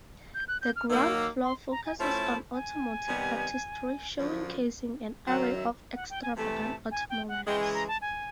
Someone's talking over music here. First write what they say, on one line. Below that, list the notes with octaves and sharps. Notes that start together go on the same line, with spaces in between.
The ground floor focuses on automotive artistry, showcasing an array of extravagant automobiles.
G6
F#6
G6
F6
D#3 F#3 A#3 E6
C6
A#5
G#5
F3 A3 C#4 E4 A5
G#5
C3 D#3 G3 B3
F#2 D3 F3
F#2 D#3 F#3 F#5
F5
E5
F#5
G5
G#5
C3 E3 A3 A5
G#5
G5
F#5
C#3 E3 G#3 G5
G#5
A#5
A5
G#5